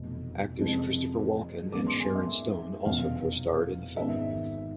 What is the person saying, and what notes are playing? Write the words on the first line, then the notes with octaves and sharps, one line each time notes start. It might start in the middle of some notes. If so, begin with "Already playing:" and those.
Actors Christopher Walken and Sharon Stone also co-starred in the film.
Already playing: F1 E2 B2 A3
F2 C3 G#3 C4 E4
A1 G#2 G#3 B3 D6
C6
G#5
E5
F1 E2 B2 F5
G#1 G#2 G#3 B3 E5